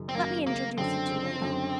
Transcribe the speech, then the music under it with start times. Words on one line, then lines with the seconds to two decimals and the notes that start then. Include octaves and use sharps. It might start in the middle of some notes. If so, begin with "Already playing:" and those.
Let me introduce you two ladies.
Already playing: F#1 F#2 D#3 F#3
0.09 C4
0.15 F#2 D#3 F#3 A#3
0.47 F#1 A#3
0.78 F#2 D3 C4
1.10 F#1
1.42 F#2 D3